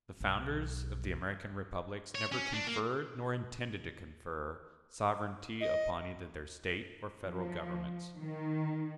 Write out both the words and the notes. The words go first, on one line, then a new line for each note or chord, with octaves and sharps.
The founders of the American republics never conferred, nor intended to confer, sovereignty upon either their State or Federal Governments.
B1
C#5
C#4
D4
A#3
D#5
F3
D#3